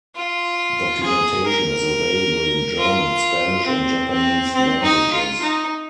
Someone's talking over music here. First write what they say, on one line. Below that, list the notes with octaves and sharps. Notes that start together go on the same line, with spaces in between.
Documentation is available in German, Spanish and Japanese languages.
F4
G#4
A#4
F4
C4
C4
C4
D#4
F4
D#4